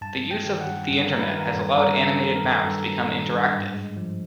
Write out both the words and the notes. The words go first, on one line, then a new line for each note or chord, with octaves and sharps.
The use of the Internet has allowed animated maps to become interactive.
G2 A5
F#3
G5
D#3
F#5
G2
G2
F#3 A#4
B4
D#3 A#4
A4
G2
G2 A#4
F#3
A4
D#3
A#4
G2
G2 A4
F#3
D#3
G2
G#2
G#3
F3